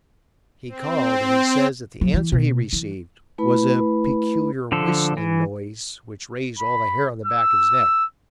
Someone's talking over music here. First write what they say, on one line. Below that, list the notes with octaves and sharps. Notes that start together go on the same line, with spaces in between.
He called, and he says that the answer he received was a peculiar whistling noise which raised all the hair on the back of his neck.
C4
F#3
E3
B2
E3
A3 E4 B4 B5
D3 F3 A4
E3
B5
E6